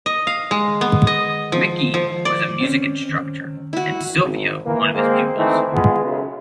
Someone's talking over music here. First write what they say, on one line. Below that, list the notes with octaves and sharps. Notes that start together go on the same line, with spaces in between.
Mickey was a music instructor and Sylvia one of his pupils.
D#5
F5
G#3
B3
D#5
F3
F3
D5
C4 C#4
E4 F#4
G#1
E3 A#3
G#3 A#3 C4
E3 A3 C4 D#4
G#3 B3 F4
B1 F#2 C#3